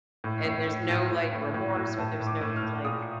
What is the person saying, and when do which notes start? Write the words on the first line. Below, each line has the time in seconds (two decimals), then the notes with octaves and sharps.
and there's no, like, remorse or there's no, like,
0.24 A2
0.45 A2
0.67 A2
0.89 A2
1.11 A2
1.33 A2
1.54 A2
1.76 A2
1.98 A2 A5
2.20 A2
2.27 D6
2.41 A2
2.56 F6
2.63 A2
2.85 A#2 D#6